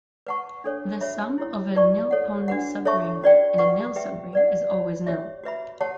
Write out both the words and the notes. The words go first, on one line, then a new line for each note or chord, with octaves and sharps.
The sum of a nilpotent subring and a nil subring is always nil.
B4 F#5 A5 C#6
D4 A4 C#5
F#4 C#5 E5 B5
E4 G4 C#5
G4 B4 D5 A5 C#6
A4 C#5 F#5
D4 F#4 B4 F#5
A4 C#5 E5 A5 C#6
C#4 F#4 B4 D5 G5
B4 F#5 C#6
G4 B4 E5 G5
B4 D5 F#5
F#4 C#5 F#5 B5
C#4 G4 C#5 E5
F#4 B4 E5 B5
G4 C#5 F#5 A5